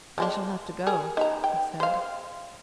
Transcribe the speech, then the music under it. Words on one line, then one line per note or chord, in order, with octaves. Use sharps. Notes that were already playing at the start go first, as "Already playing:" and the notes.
"I shall have to go," he said.
F3 G#3 D4
G3 G#4 A#4
D#4 B4 A#5
G5
C5 F5